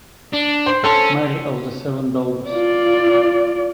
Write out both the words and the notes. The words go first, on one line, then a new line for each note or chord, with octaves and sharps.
Mary of the Seven Dolors.
D4
C5
C#4 A4 C6
F4 D5